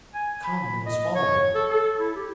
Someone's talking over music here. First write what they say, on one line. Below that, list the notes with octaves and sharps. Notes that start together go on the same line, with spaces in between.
"Come, you must follow me!"
G#5
B5
D#5
C#5
A4
A4
E4
G4